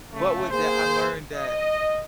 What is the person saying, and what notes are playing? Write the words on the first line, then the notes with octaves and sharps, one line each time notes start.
But with that, I learned that
C#3 A3
A#3 G#4 C5
D#5